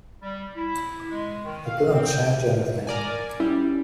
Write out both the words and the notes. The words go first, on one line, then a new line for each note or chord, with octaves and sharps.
It didn't change anything.
G3
E4
G#3
D#3
F5
C4
G5
A#4 D5 G#5
G3 C#4 E4